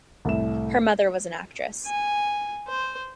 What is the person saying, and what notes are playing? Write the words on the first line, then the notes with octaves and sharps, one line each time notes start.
Her mother was an actress.
C2 A2 E5 E7
G#5
C5